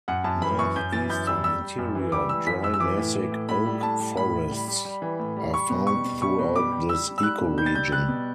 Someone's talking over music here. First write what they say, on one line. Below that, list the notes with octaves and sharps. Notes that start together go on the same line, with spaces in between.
Northeastern interior dry-mesic oak forests are found throughout this ecoregion.
F#2 F#5
F#2 A5
E3 B5
F#2 C#6
F#2 G6
E3 A6
F#2 G6
G3 E6
G3 E6
G3
F#2
E3
G3 D6
E3 E6
F#2 B6
F#2 E6
E6
E3 D6
A2
E3
A2
A2 B5
G3
A2 A5
G3
A2 B5
A2
G3
G3
G3
E3
A2
G3
G3 C#6
B2
G3 C#6
B2
G3 C#6
B2
G3 D6
G3
G3 E6
G3
E6
G3 F#6
B2
G3 G6
A6
G3 G6
G3 F#6
B2